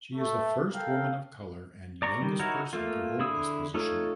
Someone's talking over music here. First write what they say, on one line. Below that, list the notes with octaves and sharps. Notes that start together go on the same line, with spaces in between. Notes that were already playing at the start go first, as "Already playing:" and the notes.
She is the first woman of color and youngest person to hold this position.
A3
A4 A#4 F5 G5
D5 A#5 C#6
D#3 G3
D#4 E4 F#4 A#4 C#5
A3 A#3 F4
D3 E4 G#4 D#6 E6
A3 D#4 F4 A4 C#5